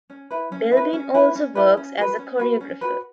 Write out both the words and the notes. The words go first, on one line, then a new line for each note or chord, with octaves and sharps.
Belbin also works as a choreographer.
C#4
E4 B4
C#4
E4
B4
C#4
E4 B4
C#4
E4 B4
C#4
F#4 B4
C#4
F#4 B4
C#4
F#4 B4